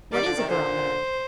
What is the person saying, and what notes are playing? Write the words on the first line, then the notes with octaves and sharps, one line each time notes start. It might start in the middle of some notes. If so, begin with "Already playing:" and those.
What is a barometer?
D#3 G3 D5
D3 F3
C3 D#3
A#2 D3 C5